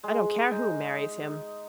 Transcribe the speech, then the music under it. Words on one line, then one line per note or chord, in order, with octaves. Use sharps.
I don't care who marries him.
G#3
D#4